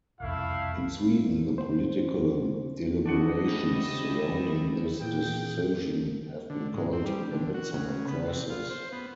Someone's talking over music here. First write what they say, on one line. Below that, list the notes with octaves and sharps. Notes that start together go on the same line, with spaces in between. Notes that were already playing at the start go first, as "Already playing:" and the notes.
In Sweden the political deliberations surrounding this decision have been called the "midsummer crisis".
E1 C2 F2 A3 E4 F5
C5
D4 F#4 C5 D#5 F#5
G3 A3 E4
A#2 E3 G#4 G5 G6
D3
G#2
C4
G3
D3
F#4
C#3
B3
C3
F4
C5
B3